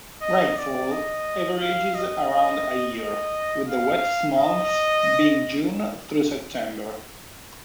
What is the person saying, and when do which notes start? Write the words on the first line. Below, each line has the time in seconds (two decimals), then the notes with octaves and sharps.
Rainfall averages around a year, with the wettest months being June through September.
0.22 D#5
0.57 D5
0.91 D#5
1.60 F5
1.94 D#5
2.29 D#5
2.99 D#5
3.68 F5
4.37 D#5